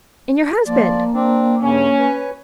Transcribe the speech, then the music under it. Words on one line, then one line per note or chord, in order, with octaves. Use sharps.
And your husband?
F3 A#3 D5
C4 D4
G2 C#3 C#4
B4 C#5 G#5